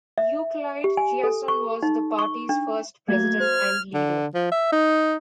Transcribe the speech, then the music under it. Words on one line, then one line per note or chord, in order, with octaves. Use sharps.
Euclide Chiasson was the party's first president and leader.
E5
G4
G#5
A4
C#6
D#4
C#6
D4
F#3 A3 A#3 G#6
C5 F6
D3
F3
E5
D#4